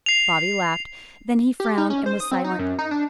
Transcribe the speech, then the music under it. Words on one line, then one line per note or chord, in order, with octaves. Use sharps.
Bobby laughed; then he frowned and was silent.
C7 F7
G4
D#4
C#4
C5
D#6
C4
D#4
F#2
D#4
D4